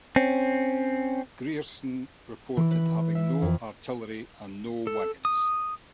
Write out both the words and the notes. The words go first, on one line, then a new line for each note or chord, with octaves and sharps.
Grierson reported having no artillery and no wagons.
C4 C#4
E3
B4
E5
F2
A4
D#6